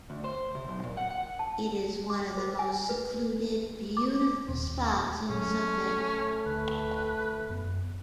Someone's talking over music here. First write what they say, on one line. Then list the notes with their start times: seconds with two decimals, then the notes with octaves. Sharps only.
It is one of the most secluded, beautiful spots in Suffolk.
0.10 D2
0.24 C5
0.55 C3
0.68 B1
0.83 A#2
0.97 F#5
1.11 F#5
1.39 A5
2.10 D6
2.37 C5
2.59 G#5
2.89 B4
3.97 D6
4.49 D#1
5.30 A#2 F#3 G#3 A3 C#4
6.46 D2 B4
7.50 F#2 B3